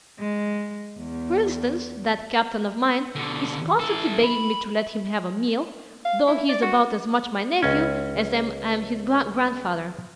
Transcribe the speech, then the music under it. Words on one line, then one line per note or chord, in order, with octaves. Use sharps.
For instance, that captain of mine is constantly begging me to let him have a meal--though he is about as much my nephew as I am his grandfather.
G#3
E2
B2 D3
E3 A4
B5
F5
E4
D5
F#4
C#2 C#4